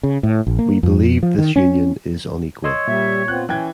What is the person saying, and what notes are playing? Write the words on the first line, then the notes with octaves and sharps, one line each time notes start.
We believe this union is unequal.
C#3
A2
A#1
A#3
F2
F3
D#3
C#4
C#5 D#5 C6 E6
A#2 G3 E5
B3 C4 F4 F#6
E3 C#4 G5 G#6